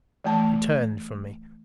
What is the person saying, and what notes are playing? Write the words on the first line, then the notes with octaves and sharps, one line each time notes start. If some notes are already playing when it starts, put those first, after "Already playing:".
She turned from me.
E3 A3 A5